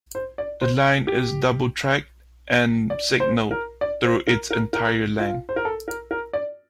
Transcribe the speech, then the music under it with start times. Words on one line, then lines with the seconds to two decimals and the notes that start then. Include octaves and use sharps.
The line is double-track and signaled through its entire length.
0.15 C5
0.38 D5
0.61 C5
1.07 G4
2.90 D5
3.20 C5
3.51 A#4
3.81 D5
4.05 C5
4.27 A#4
4.51 A#4
4.73 A#4
5.19 F4
5.49 C5
5.56 A#4
5.65 A4
5.88 A#4
6.11 A#4
6.33 D5